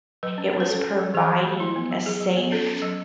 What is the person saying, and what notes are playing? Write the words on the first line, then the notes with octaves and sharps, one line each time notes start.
it was providing a safe
F#3 B4
C#4
C#4
B4
C#4 A4
C#4
F#3
E3 G#4
E3
A3
F#3 E4
B3
F#3
F#3 G#4
F#3
B3
C#4 A4
C#4
F#3